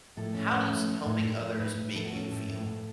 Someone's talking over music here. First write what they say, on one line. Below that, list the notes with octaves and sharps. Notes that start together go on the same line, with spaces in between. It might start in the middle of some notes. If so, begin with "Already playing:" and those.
how does helping others make you feel?
A2 A4
C#4
C#4
A3
A3
A2
A2
A3
A2 B4
A2
A2 A4
F#4
C#4 A4
A2
A2
A2